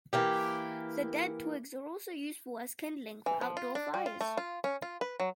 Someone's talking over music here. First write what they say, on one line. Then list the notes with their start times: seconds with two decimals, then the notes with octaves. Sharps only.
The dead twigs are also useful as kindling for outdoor fires.
0.13 E3 A#3 G4
3.26 E3
3.41 F3
3.57 F4
3.75 D4
3.94 G3
4.06 F4
4.21 A3
4.37 F4
4.64 C#4
4.82 F4
5.01 B4
5.20 F#3